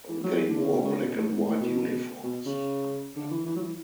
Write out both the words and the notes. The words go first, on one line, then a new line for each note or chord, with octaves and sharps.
They wore black and white uniforms.
E3
F#3
E3
D3
C#3
B2
C#3
B2
A2
G#2
A2
B2
B2
C#3
D3
E3
E3
F#3
E3